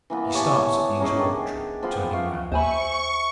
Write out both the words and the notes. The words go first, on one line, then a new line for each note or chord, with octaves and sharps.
He starts at the interrogatory, turning round.
E3 A#3 B3
G4 C#5 G#5 A5
C#4 D#4 G#4
D#3 D4
F3 B3 F4 G5
E5 F5 G5 C#6
D#2 C5 E5 G#5 B5 C#6